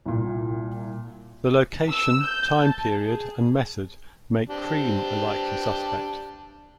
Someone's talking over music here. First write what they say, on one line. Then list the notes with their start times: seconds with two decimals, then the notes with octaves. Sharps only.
The location, time period, and method make Cream a likely suspect.
0.06 C2 A#2
1.88 E6
2.25 G6
2.60 A5
2.97 G#4
4.49 C4 D4 G4